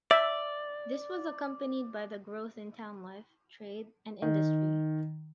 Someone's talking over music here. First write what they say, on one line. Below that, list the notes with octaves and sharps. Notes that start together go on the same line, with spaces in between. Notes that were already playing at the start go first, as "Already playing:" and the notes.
This was accompanied by the growth in town life, trade, and industry.
D5 E5
D#3